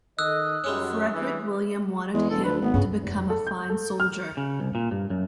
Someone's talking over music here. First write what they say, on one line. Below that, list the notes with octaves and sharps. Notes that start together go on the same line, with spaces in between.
Frederick William wanted him to become a fine soldier.
D#3 A4 D#5 D#6 E6 F#6
F#2 G3 G#3 C#4
G2 E3
E2 G#3
E1 A4
D2 B4
G#1 B3
G2 C#3 F4
F1
A4
G6
A4
F6
C#3
C2
A#2
G2
F#2